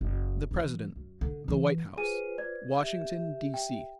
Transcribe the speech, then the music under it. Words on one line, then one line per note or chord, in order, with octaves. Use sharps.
The President, The White House, Washington, D. C.
F#1
G2 E3
F#2
D3
E3 F#3
F4 G#4 B4 C5 G#5 D#7
D5 G#6
G4 E5
G5